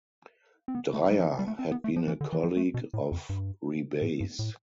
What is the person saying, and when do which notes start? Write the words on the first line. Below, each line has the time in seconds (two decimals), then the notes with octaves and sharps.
Dreier had been a colleague of Rebay's.
0.68 C4
0.75 B3
0.93 A3
1.10 G3
1.20 F3
1.39 G3
1.48 A3
1.59 C4
1.72 B3
1.84 A3
1.96 F3
2.08 E3
2.21 D3
2.33 E3
2.44 F3
2.57 A3
2.74 B2
2.93 A2
3.12 F2
3.29 G2
4.02 A2
4.20 G2
4.39 A2